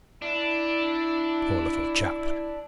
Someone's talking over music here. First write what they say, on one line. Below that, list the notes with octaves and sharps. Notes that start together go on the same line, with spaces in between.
Poor little chap!
D4 E4